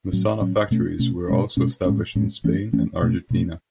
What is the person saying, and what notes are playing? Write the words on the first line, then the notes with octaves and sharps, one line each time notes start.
Meccano factories were also established in Spain and Argentina.
A2 F#3 C#4
A2 F#3 C#4
B2 A3 C#4
B2 A3 C#4
B2 G#3 C#4
B2 G#3 C#4
A2 G#3 C#4
A2 G#3 C#4
E3 A3 C#4
E3 A3 C#4
B2 A3 C#4
B2 A3 C#4